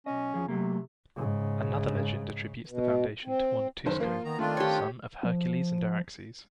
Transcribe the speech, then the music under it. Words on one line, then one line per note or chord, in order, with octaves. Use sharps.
Another legend attributes the foundation to one Tusco, son of Hercules and Araxes.
B1 C#4 D#5
E2 F3 G#4
C3 F#3 A3 A#3
G#2 C#3
B2
C4
F#1 D#3 F#3 C5
F3 A#3 F4
D#3 B3 A#5
D#3 A3 C4 D4 F4
G4 C#5
F3